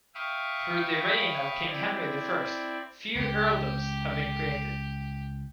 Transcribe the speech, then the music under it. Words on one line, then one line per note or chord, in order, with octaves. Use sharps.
Through the reign of King Henry the First few earldoms had been created.
E5 F5 G5 B5 C#6 D#6
C4 E4 D5
C#2 G4